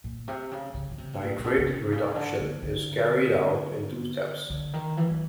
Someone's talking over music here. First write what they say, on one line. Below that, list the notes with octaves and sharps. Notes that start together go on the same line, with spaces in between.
Nitrate reduction is carried out in two steps.
A#2
C3
C#3
C#3
C#3
C3
B2
A#2
A#2
B2
C#3
C3
C#3
D3
D3
D3
D3
D#3
E3
F#3